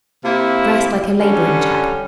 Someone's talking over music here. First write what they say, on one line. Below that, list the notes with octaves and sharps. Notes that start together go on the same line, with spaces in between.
Dressed like a labouring chap.
C3 A#3 E4
D3 G3 C#4